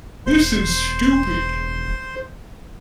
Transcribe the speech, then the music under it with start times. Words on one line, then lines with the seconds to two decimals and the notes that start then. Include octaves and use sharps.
this is stupid.
0.26 E1 C5 C6